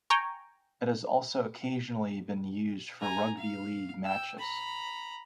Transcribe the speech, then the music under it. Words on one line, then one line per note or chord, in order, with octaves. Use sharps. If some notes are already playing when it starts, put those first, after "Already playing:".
It has also occasionally been used for rugby league matches.
G5 G#5 A#5 C#6
G#5 A#5
F5
G5 E6
A#5 B5